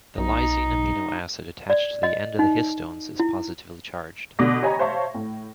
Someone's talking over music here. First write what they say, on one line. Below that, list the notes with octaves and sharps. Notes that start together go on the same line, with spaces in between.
The lysine amino acid attached to the end of the histones is positively charged.
B1 D#4
D5
D#5
D#4
E4
B2 D3 D4 D6 A#6
G4 C#5 D#5 G#5 A#5 B5
C5 C#5 E5 F5 A5 C#6
A2